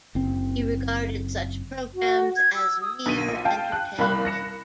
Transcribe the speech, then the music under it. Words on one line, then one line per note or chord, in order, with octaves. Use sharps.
He regarded such programmes as "mere entertainment".
F#1 C4
F#4
G#6
E6
D#6
B1 D3 B6 D#7
A#1
F5 G5 A5
F#6
C2 G3 A#3 F5 B5 F#6
A#6 C#7 E7